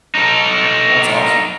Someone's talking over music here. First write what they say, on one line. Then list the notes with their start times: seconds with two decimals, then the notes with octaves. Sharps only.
That's awesome.
0.15 D#4 A4